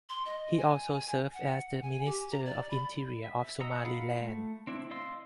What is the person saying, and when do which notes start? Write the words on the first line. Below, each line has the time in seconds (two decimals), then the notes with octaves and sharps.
He also served as the Minister of Interior of Somaliland.
0.09 C6
0.26 D#5
0.57 G#5
1.34 F#5
1.82 G#5
2.06 G4
2.32 A#5
2.46 D5
2.71 B5
3.24 E5
3.60 D#5 F#5 A#5 D#6 E6
3.85 F4 F5 F#5 B5
4.20 A3
4.67 C4 D4 E4
4.91 D5 D#5 F5 C6 E6